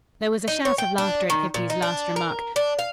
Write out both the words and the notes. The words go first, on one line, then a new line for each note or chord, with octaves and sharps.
There was a shout of laughter at Hippy's last remark.
D#4
C#5
G5
D4
D#3
A#2
D#4
D4
A#4
D4
F5